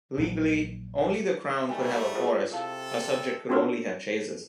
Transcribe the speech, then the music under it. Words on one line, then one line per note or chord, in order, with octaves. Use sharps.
Legally, only the crown could have a forest, a subject could only have chases.
A#1 A#2 F#3
D#3 G3 A3 G5 G#5
F4 G#4 C5
C3 E4 A4 F5 A5
C4 D4 F4 F#4 A4 A#4